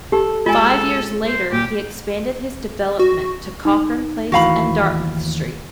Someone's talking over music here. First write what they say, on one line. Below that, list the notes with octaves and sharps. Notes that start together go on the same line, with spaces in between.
Five years later he expanded his development to Cochran Place and Dartmouth Street.
G4 A4
G#3 F4 A4 G#5
C5
A#2 G4
F#4
D#4
D#2 A2 E3 F#4 F5 B5